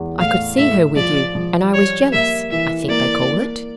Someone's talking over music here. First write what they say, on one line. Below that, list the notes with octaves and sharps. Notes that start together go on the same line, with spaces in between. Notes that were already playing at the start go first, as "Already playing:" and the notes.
I could see her with you, and I was jealous--I think they call it.
Already playing: E2
A2 F5
A2 E5
F3 D5
F3
G3 C#5
A#3 E5
E3 E5
A#3 D5
A#3